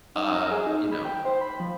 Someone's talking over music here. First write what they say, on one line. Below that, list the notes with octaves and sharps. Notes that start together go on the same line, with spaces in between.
uh, you know,
D#4
A#5
G#4
D#4
B5
G5
C5
B5
F3